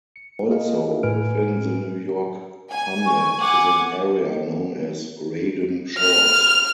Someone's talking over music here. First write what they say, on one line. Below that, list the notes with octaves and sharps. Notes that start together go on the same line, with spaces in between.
Also within the New York hamlet is an area known as Reydon Shores.
C#7
A#3 F4 G#4 A#4 D#5 F5
A2 A3 B4 G#5 F6 D7
G#5
C#6
F#5 G#5 D6
F6